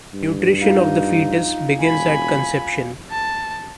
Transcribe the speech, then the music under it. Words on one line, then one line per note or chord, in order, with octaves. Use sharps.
Nutrition of the fetus begins at conception.
G2
D#4 F4 F5
E1 G#5 B5
A5